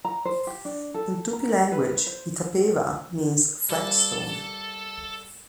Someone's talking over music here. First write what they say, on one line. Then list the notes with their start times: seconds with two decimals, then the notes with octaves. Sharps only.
In Tupi language, Itapeva means "flat stone".
0.05 A#5
0.25 C5
0.47 G4
0.65 D4
0.94 A4
1.33 A#5
1.72 B4
2.07 C5
3.70 G3 A#3 A4